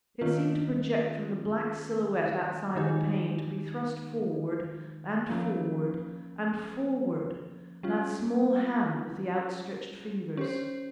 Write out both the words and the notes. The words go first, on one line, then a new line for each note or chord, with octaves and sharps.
It seemed to project from the black silhouette outside the pane, to be thrust forward--and forward--and forward... that small hand with the outstretched fingers.
D#3 A#3 C#4 F4
D#3 G#3 D#4 G4
F3 A#3 C#4
G3 C#4 F4
C#4 G4 C5